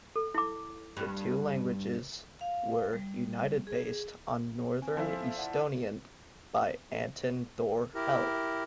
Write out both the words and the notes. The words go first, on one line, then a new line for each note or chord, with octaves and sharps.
The two languages were united based on northern Estonian by Anton thor Helle.
A4
E4 D6
G2
F5
G3
G#4
C4 G#5
F3 E4 A4 C5 F5
D5 F#5 A5
E4 G4 A#4